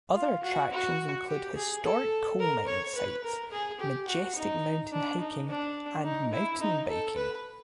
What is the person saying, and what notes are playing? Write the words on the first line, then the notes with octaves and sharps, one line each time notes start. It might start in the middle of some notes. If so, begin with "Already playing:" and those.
Other attractions include historic coal mine sites, majestic mountain hiking and mountain biking.
F4
F#4
F#4
G4
G#4
A4
A#4
C#5
B4
A#4
G#4
G4
F#4
D#4
D4
D#4
D4
D#4
E4
D#4
A4
B4